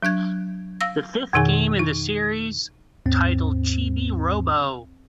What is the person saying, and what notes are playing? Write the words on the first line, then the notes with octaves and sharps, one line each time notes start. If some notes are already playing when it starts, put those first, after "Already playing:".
The fifth game in the series, titled Chibi-Robo!
F#3 D4 F#6 G#6
F5 E6 A#6
F2 B2 D#3 D#4 G#4 G#5
D#4
D#2 G#2 C4